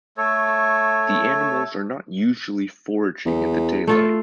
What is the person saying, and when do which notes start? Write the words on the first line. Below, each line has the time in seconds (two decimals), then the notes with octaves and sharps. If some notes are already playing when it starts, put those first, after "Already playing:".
The animals are not usually foraging in the daylight.
0.17 A3 A4 C#5
3.26 E2
3.87 A3 F4 A4